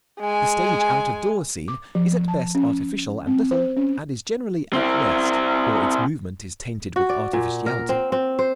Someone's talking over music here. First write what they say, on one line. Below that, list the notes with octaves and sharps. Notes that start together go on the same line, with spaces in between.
The stage out-of-door scene is at best artificial and little and is generally at rest, or its movement is tainted with artificiality.
G#3 G#5
D6
F3
A5
C#4
C4
C5
C#4
C4 E4
F#4
D5
A#2
A#4
C4
C4
C5